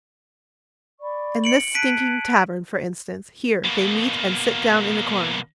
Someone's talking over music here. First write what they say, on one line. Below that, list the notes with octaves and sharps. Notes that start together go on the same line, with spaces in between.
In this stinking tavern, for instance, here, they meet and sit down in a corner.
D5 B5 C#6
C#7 D7 F#7
A5 F#6 G#6 B6 D7 D#7
B2 A#3